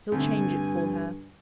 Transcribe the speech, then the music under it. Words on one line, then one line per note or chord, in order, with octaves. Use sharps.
He'll change it for her.'
D2 G2 C3 G#5